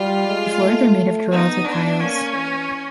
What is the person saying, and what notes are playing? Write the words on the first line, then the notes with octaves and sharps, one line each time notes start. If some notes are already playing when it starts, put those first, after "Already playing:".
The floors are made of terrazzo tiles.
Already playing: G3 F4
G#3
A3
B3 D#4
B3 D4
A#3 C#4
E3